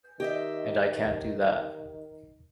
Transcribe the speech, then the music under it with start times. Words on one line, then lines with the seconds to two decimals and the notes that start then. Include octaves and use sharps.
And I can't do that.
0.20 D#3 G4 D#5 E5